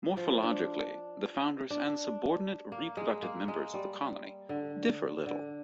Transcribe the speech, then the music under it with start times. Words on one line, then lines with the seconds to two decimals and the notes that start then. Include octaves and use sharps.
Morphologically, the foundress and subordinate reproductive members of the colony differ little.
0.17 F3
0.43 D4
1.70 D4
2.72 A#3
2.97 G#3
3.23 A#3
3.48 G#3
3.74 G3
4.49 D3
5.26 D3